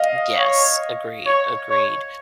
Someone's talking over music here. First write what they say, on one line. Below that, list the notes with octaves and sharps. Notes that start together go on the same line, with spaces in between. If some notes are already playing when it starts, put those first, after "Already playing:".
M yes, agreed, agreed.
Already playing: D#5 F5
C#5
C#5
C#5